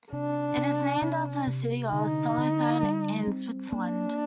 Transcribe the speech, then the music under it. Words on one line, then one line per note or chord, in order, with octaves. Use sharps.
It is named after the city of Solothurn in Switzerland.
C3 D4
C3
C3
C3
D3 D#4
D3
G3
C4
A#3 D4